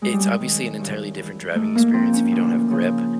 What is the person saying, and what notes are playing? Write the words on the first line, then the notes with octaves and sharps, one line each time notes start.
it's obviously an entirely different driving experience if you don't have grip,
F#2 G#3
G3
G#3
D#3
G2
E3
G#2 A3
A#3
F3 C4
C#4
D2
C#3 F3